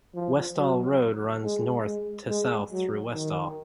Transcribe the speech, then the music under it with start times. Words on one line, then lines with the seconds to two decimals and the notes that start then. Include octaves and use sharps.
Westall Road runs north to south through Westall.
0.15 F3
0.57 F#3
1.43 G#3
1.85 G#3
2.29 G#3
2.72 F#3
3.14 D#3